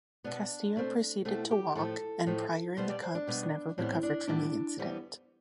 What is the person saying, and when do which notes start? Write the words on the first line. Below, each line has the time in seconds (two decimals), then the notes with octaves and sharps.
Castillo proceeded to walk and Prior and the Cubs never recovered from the incident.
0.24 B2 B3 D4
0.76 B2 A3 C4
1.25 B2 A3 C4 E4
1.51 G4
1.75 A2 F3 A3 A4
2.26 A2 F3 A3
2.77 B2 G3 B3 C5
2.90 D5
3.02 C5
3.15 D4
3.27 B2 G3 B3
3.78 A2 E3 G3 B3 C4
4.03 D4
4.27 A2 E3 G3 B3 D4
4.79 F2 E3 G3 B3